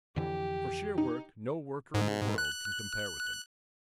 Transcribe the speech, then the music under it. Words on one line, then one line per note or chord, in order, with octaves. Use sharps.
For sheer work no worker in the world can compare with him.
F2 D3 E3 G4
D#4
G#2
F#6